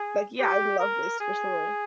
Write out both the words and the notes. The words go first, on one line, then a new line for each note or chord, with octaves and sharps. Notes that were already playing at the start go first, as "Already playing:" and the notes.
Like, yeah, I'd love this for sure.
Already playing: G#4
G4
A#4
G#4